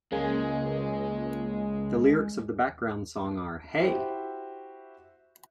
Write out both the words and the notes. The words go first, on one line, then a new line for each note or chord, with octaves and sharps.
The lyrics of the background song are Hey!
C#2 C#3 G#3 A#3 G#5
E4 F#4 G4 C5 E5